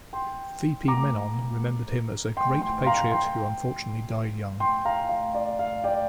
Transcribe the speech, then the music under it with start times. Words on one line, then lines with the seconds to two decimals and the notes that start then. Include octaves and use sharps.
V P Menon remembered him as "Great Patriot who unfortunately died young".
0.13 G5 C6
0.88 A#5 D6
2.37 G5 C6
2.61 G5 C6
2.82 C6
2.86 F5 A#5
3.11 G5 C6
4.60 G5 C6
4.85 F5 A#5
5.09 F5
5.35 D5
5.59 F5
5.84 D5 G5